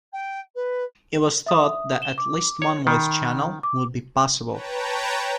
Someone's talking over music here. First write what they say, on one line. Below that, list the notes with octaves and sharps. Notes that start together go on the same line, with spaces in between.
It was thought that at least one voice channel would be possible.
G5
B4
E5 D#6
E7 G7
D6
C#5
D#3 B5
D6
B4 C#5 G5 A5 A#5